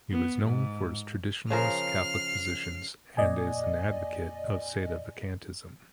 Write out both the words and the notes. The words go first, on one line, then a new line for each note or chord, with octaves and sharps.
He was known for his traditionalist Catholic positions and is an advocate of sedevacantism.
B3
G#2
C#3 F3 A#4 F6 C7
F2 A#2 D5 D#5 G#5